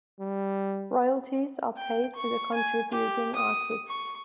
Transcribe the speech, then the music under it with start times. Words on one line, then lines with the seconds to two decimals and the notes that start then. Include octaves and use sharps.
Royalties are paid to the contributing artists.
0.20 G3
1.77 G5
2.16 C#6
2.54 G#5
2.92 G4
3.35 D#6
3.88 C#6